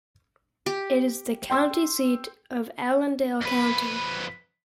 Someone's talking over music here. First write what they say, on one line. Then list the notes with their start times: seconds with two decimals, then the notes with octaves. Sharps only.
It is the county seat of Allendale County.
0.66 G4
1.50 G5 C6 E6
3.41 F2 B4